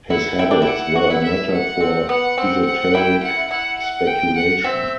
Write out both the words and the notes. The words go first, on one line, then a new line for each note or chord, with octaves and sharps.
His habits were a matter for esoteric speculation.
E4 F#5
E4 G5
D4
E4
F#5
F#4
E4
E5
F#5
C4
B3 F#5
C4
F#5
E4 G5
F#5
E4 F#5
F#5
G5
F#5
C4 E5